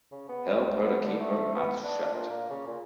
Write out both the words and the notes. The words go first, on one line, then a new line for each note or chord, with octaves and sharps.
Help her to keep her mouth shut.
C#3
B3
C#2
B3
D3
A3
B3
D4
A#2
A#3
C#3
A#2